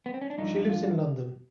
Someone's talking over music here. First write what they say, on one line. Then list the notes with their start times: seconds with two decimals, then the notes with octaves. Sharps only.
She lives in London.
0.06 B3
0.14 C4
0.21 C#4
0.30 D4
0.38 G2 D3 F3 D#4
0.70 F4